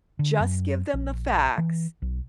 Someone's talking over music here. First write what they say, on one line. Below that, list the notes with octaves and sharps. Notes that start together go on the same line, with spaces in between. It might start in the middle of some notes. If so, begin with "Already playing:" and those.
just give them the facts,
D3
F#2
A#1
E3
B1